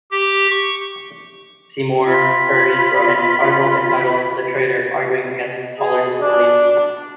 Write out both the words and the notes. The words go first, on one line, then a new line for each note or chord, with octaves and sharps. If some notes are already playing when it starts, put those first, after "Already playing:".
Seymour Hersh wrote an article entitled "The Traitor" arguing against Pollard's release.
G4
C#6
F4 B5
G#4
D4